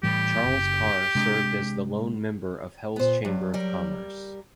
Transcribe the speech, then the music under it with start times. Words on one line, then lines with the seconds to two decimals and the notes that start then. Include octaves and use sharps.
Charles Carr served as the lone member of Hell's Chamber of Commerce.
0.03 A2 E3 G3 G4
0.44 F#1
1.15 C3 G#3 D4
2.96 A#2 B3 C5
3.25 G2 F#3
3.54 G3 A#4